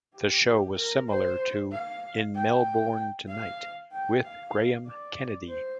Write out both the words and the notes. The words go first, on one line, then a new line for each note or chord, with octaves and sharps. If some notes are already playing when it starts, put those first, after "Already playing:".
The show was similar to "In Melbourne Tonight" with Graham Kennedy.
G4
G4
A#4
C5
F5
G5
F5
G5
F5
D5
C5